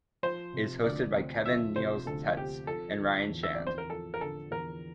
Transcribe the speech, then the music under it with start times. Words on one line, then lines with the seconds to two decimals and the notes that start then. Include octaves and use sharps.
It is hosted by Kevin Neils Tetz and Ryan Shand.
0.23 F3 C5
0.53 C3
0.84 D2 D5
1.14 C4
1.45 F3 E5
1.76 C3 C5
2.06 D2 A4
2.37 C4 G4
2.67 F3 A4
2.98 D3
3.29 E2
3.43 E5
3.55 C4 D5
3.67 C5
3.78 A#4
3.90 F3 A4
4.14 A#4
4.21 D3 A4
4.51 E2 A#4